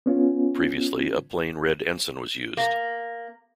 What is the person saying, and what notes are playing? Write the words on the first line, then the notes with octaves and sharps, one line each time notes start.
Previously a plain red ensign was used.
B3 C#4 F4
A#3